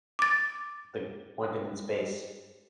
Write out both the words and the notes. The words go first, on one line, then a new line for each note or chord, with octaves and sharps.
the pointed in space,
D6 A6